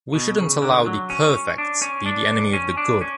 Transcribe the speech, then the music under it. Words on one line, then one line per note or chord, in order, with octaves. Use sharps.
We shouldn’t allow the "perfect" be the enemy of the "good."
B2
C#3
D3
F#3
C#4
D4
C#4
D4
C#4
D4
C#4